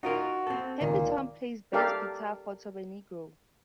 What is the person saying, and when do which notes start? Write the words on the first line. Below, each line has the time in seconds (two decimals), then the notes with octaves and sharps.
Happy-Tom plays bass guitar for Turbonegro.
0.03 D#4 F4 F#4 A#4
0.47 C4 A4
0.81 C#2 A#2 D#3
1.73 G4 A4 A#4 D5 F5